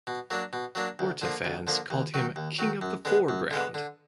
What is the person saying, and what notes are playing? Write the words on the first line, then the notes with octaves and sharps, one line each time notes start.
Warta fans called him "King of the foreground".
B2
F#3 A#3 D4
B2
F#3 A#3 D4
D2
D3 F3 A#3
D2
D3 F3 A#3
D#2
D#3 F#3
D#2
D#3 F#3
F#2
D3 G#3 B3
F#2
D3 G#3 B3
D3